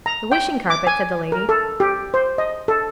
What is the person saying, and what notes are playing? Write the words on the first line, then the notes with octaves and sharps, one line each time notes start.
'The wishing carpet?' said the lady.
A#5
G5
D6
G#5
A#4
A4
G4
C5
D#5
A4